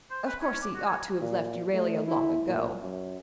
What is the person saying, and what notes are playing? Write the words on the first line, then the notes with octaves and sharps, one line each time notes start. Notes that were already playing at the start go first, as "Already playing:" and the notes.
Of course he ought to have left Euralia long ago.
C5
B4
C#4
D6
F#4
C#5
A#2
A3
E4
A#2
F#2